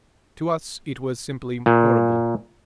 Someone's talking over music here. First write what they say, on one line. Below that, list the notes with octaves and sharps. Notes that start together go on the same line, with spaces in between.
To us it was simply horrible.
A#2